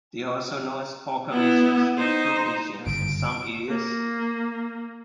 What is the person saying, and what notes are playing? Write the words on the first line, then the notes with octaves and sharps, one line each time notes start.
They are also known as "poker machines" and "fruit machines" in some areas.
B3 E4
D#4 C5
G1 F#2 C#3 D7
A#3